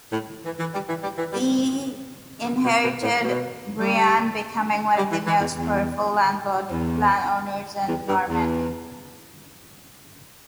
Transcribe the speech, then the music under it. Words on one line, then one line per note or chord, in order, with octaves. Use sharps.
He inherited Brionne, becoming one of the most powerful landowners in Normandy.
A2
E3
E3
G3
E3
G3
E3
G3
B2
B2
A2
B2
G3
G3
E3
E3
E2
E2
E2
E2
G2
E2